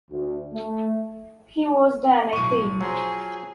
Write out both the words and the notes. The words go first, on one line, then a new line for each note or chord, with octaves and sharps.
He was then eighteen.
D2
A3
B1 A2 C#6 D#7
F3 F#3 G#4 C5 C6